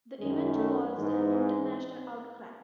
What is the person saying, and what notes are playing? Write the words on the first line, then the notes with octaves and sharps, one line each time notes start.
The event caused an international outcry.
F#2 D#3 G#3
A3
G#2 E3